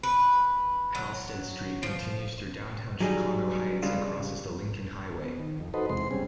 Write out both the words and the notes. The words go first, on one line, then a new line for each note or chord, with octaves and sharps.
Halsted Street continues through downtown Chicago Heights and crosses the Lincoln Highway.
B4
F#3
F3
F#3 G3 D#4 G#4
C#3 G3 G#3 D4 F4
B3
D#3
F2
D#4 F#4 A4 B4 C5 D#5
E2 C3 G#3 C6
G3 C4 C#4 G#4